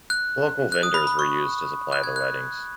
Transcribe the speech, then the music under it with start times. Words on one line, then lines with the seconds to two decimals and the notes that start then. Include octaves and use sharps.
Local vendors were used to supply the weddings.
0.10 F#6
0.72 F#6
0.83 D#6
0.94 B5
1.07 B5
1.19 C#6
1.92 F#6
2.04 G#6
2.16 F#6